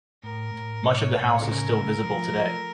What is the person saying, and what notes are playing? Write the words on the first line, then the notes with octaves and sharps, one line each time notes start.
Much of the house is still visible today.
A2 A#4
A2
A2 C#5
A2
C#3 A#4
A3
F3
A3